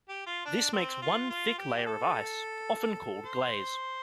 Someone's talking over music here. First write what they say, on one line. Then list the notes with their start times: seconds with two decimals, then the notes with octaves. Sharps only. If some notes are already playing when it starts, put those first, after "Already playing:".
This makes one thick layer of ice, often called "glaze".
0.09 G4
0.26 F4
0.45 D4
0.73 C4
1.02 F4
1.29 F4
1.58 G4
1.86 A4
3.26 C5